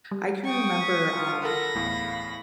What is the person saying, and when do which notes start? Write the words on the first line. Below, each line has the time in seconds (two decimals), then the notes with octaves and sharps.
I can remember, um,
0.11 G3
0.44 G5 C#6 D#6
0.81 B6
1.13 F4
1.43 A4 A#4 F#5 B5 A#6
1.75 D1 E2 A2 F5